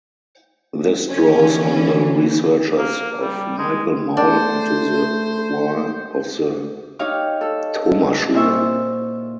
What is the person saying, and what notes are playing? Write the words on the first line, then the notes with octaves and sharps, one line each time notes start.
This draws on the researches of Michael Maul into the choir of the Thomasschule.
D3 E3 C#4
A#3
G3
G#3
A3 D4 C5
D#4 G4 C#5 F5 C#6
A4
A#2 C5 E5 C#6